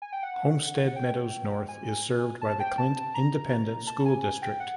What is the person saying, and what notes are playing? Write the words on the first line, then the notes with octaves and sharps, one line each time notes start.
Homestead Meadows North is served by the Clint Independent School District.
G#5
G5
F#5
F#5
G5
G#5
A5
G5
A5
A5
A#5
A5
G#5
G#5
G5
F#5